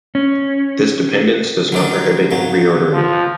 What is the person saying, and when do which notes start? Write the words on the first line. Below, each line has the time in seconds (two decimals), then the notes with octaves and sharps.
This dependence does not prohibit reordering.
0.15 C#4
1.72 D3 D#3 D4
2.31 F2 G#2 F#3
2.93 F3